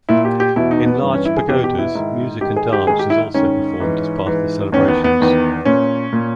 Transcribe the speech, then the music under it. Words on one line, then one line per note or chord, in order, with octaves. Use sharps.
In large pagodas music and dance is also performed as part of the celebrations.
A#2 E4
G4
G4
E2 B2 E4
D#4
B3
G2 E3
C#4
E4
G#4
E2 B2 G4
G4
E4
G#2 D#3
G#2 D#3 G4
G#4
G4
G#2 D#3 G#4
G4
E4
G#2 D#3 C#4
G#2 E3
G#2 E3
E2 D#3 C#4
B3
B3
E2 D#3
A#2 C#4
A#2